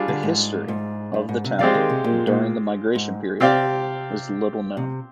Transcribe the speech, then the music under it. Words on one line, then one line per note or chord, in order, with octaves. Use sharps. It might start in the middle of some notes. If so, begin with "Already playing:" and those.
The history of the town during the Migration Period is little known.
Already playing: G3 D4 F4 G#4
D3
G#2
G#2
G2
G#2
C3
F3 G#3 C4 G4 D5 F5
D#3
C3
A#2
A#2
G#2
C3 C4 G4 D5 F5
C3